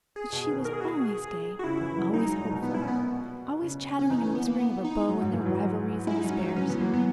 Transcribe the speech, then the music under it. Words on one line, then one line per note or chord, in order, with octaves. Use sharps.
But she was always gay, always hopeful, always chattering and whispering of her beaux, and their rivalries and despairs.
G#4
B2
D#3
A#4
G#4
F#4
G#4
F#4
C#3 E4
E3
F#3
G#3 D#4
F#3
A#2
B2
B3
E4
C#4
B3
C#3
C#4
E3 D#4
C#4
B3
A#3
B3
D#4
F#3
G#2
E3
F#3
G#3 E4
D#4
F#3 C#4
F#3 D#4
E3 C#4
E3 B3
F#3 A#3
F#3 B3